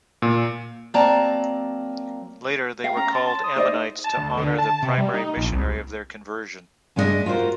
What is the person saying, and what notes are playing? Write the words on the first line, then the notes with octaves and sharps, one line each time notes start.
Later, they were called Ammonites to honor the primary missionary of their conversion.
A#2
F#3 A#3 C4 D5 A5 A#5
F5 G5
C#4 A#5
A5 C6
A5
D#6
D#4 C5 D5 D#5
A5
D2
D3
A5
C3
G3
D#4
A#1
C2
G2 G#3 D4 F4 D#5 E5
F4 F#4 A#4 C5